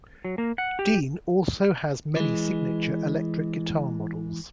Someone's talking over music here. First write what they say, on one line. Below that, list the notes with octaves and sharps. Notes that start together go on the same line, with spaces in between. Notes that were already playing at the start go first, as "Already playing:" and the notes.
Dean also has many signature electric guitar models.
F#3
A#3
F#5
G4
E3 G#3